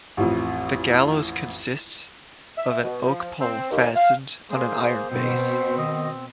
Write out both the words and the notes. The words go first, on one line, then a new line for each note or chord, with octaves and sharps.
The gallows consists of an oak pole fastened on an iron base.
A1 F2
E5
B2
F3
C4
D#2
F5
A#3 G#4 C5
B2 C4
D#3 D#5